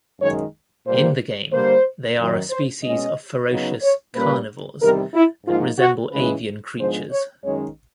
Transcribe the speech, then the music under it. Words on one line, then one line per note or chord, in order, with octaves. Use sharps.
In the game, they are a species of ferocious carnivores that resemble avian creatures.
F#2 D#3 G#3 C#5
A#2 G3 A#3 C5
D3 G3 A#3 C5
F#2 D#3 F#3
C5
B2 G#3 C#4 D#5
C#3 F#3 B3 D#4
C#5
A#2 G3 A#3 C#4 B4
E2 C3 D#3 G3 A#4
E4
G#2 F3 A#3 D#4 F4
F#4
C#3 E3 G#3 C#4 B4
G#2 F3 G#3 B3 D4 C5
C#5
F#2 D#3 G#3 C#4 C#5